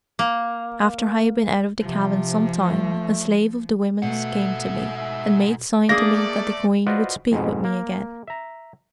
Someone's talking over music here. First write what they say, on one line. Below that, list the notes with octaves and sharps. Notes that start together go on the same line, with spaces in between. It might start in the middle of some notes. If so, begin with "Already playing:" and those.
After I had been out of the cabin some time, a slave of the women's came to me, and made sign to me that the queen would speak with me again.
A#3
C3 F3
A3
G#2 B2 A3 E5 F#5
E5
A3 A#3 G#4 D5 A#6
F4 F#4 B4 C5 D5 D#5
F2 G#2 B2
A#3
E5 A#5